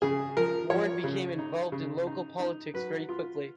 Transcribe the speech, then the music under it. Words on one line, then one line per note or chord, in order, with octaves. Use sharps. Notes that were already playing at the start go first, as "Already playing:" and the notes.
Ward became involved in local politics very quickly.
C#3 G#4
F3 A#4
F3 C#5
C#3
D#4
C#3
D#4
D#4
F#3 B4
F4